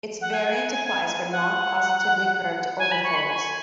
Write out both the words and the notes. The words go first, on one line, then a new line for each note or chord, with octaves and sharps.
Its variant applies for non-positively curved orbifolds.
F#5
G#5
F#5
G#5
B5
C#6
B5
G#5